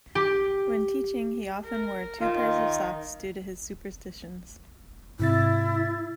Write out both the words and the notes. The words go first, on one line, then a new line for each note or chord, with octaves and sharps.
When teaching he often wore two pairs of socks due to his superstitions.
G4
A#4
D#3 F4
G#2 C3 E4 A6